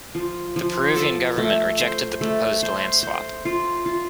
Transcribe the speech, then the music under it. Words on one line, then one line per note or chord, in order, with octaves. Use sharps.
The Peruvian government rejected the proposed land swap.
F3
F3
A4
A3
C5
A3
C5
C5
F4
F4